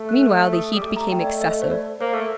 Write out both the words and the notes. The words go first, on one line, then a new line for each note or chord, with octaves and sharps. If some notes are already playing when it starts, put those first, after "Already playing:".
Meanwhile the heat became excessive.
Already playing: A3
F#6
F#6
D#6
G3 D#6
A3 D6
A#5
G5
D5
D#5
D#5
C5
D5
A#3 C5
A3